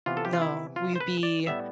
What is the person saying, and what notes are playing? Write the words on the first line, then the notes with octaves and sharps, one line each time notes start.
No. We'd be,
C3 E3 B3 F4
A4
G4
F4
E4
F4
C5
B4
D5
A2 G3 B3 E5